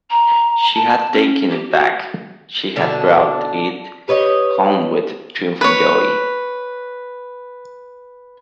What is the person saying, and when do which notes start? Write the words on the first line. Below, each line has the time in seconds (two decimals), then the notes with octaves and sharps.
She had taken it back, she had brought it home with triumphant joy.
0.10 A#5
0.73 A5
1.12 C#4
1.50 G4
1.70 F#4
2.76 B2 D3 D4
4.08 G4 B4 C#5 D#5
5.61 B4 C#5